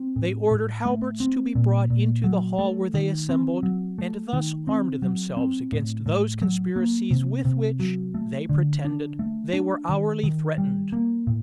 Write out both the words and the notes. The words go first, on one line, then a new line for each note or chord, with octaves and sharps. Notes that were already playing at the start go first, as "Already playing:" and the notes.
They ordered halberts to be brought into the hall where they assembled, and thus armed themselves against those conspiracies with which, they pretended, they were hourly threatened.
Already playing: C4
A2
A2
A3
C4
A#2
A#2
F#3
A3
D#3
C4
F#3
A3
D#3
C4
F#3
C4
A2
A2
F#3
A#3
C3
C3
F#3
A3
D3
D4
A3
D4
D#3
D#3
G3
A#3
A2